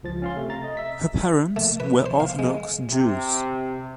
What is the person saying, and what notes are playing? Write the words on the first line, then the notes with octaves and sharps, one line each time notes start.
Her parents were Orthodox Jews.
C#2 F3 A6
C#4 F5 C6
C3 A3
A#5 A6
D#5
E5 B6
A3
B4
C5
F5
G#3
C3